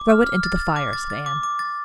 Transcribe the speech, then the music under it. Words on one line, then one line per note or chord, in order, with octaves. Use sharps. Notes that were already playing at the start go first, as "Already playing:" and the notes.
"Throw it into the fire," said Anne.
Already playing: D6
F6
F6
A6
A6
D6
A6
A6
D6
D6
A6